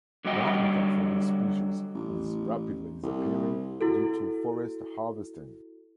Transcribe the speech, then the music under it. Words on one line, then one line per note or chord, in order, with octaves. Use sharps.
The habitat for this species is rapidly disappearing due to forest harvesting.
D3 F#3 G3 F#4 D#5 G5
A1
C2
E4 F#4 A4